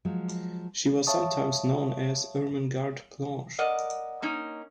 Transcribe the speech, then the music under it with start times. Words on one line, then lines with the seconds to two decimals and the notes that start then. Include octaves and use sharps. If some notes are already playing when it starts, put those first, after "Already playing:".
She was sometimes known as Ermengarde-Blanche.
0.05 F3 F#3 G#3
1.07 C#5 E5 F5 A5 C#6 D#6
3.59 A#4 D5 D#5 F#5
4.22 A#3 C#4 D#4